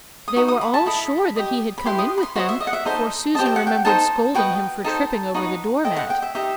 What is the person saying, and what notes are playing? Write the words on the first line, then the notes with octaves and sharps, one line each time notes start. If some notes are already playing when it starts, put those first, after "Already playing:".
They were all sure that he had come in with them, for Susan remembered scolding him for tripping over the door-mat.
D#6
D#4 F#4
D#6
B5
A5
E4 A4 D#5 B5
G4 D#5
B5
E4 G4 B4 C6
D#6
B5
C6
F#4 C5 D#5 C6
E5
D#5
F#5
E5
D#4 A4 C5 D#5
G4 C5 D#5 A5
G5
F#5
G5
D#4 A4 C5 A5
F#4 B4 D#5 G5
D#4 A4 C5 A5
D#4 F#4 B4 D#5
E4 A4 C5 D#5 G5
F#5
G5
E5
D#4 G4 D#5 E5